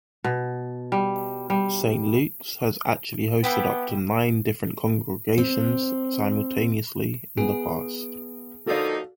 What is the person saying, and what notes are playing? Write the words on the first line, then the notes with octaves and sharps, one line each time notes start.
Saint Luke's has actually hosted up to nine different congregations simultaneously in the past.
B2
G3
G3
B3 C4 E4 G4
C4
B3 G#4 D7
F3 A#3 D#4 F#4 A4 D5 F5